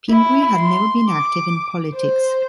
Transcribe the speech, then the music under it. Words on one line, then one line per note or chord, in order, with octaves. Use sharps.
Pingree had never been active in politics.
E4
C6
D6
C5